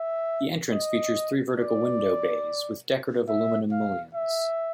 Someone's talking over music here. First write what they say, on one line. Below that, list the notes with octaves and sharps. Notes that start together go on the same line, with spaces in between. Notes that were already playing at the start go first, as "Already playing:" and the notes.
The entrance features three vertical window bays with decorative aluminum mullions.
Already playing: E5
D#5
D5
E5
F5
E5